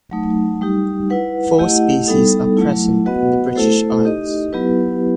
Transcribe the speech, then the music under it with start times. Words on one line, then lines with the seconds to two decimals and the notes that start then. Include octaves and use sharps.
Four species are present in the British Isles.
0.11 F#3 A3 D#4
0.61 G3 D#4 G4
1.10 E4 B4 F#5
1.58 A3 E4 G4 D#5 F#5
2.08 G3 B3 D#4 A4
2.57 F#3 A3 E4
3.06 B3 F#4 B4 D#5 F#5
3.56 A3 E4 A4 C5
4.05 D#4 G4 D#5
4.53 F#3 B3 E4 G4 B4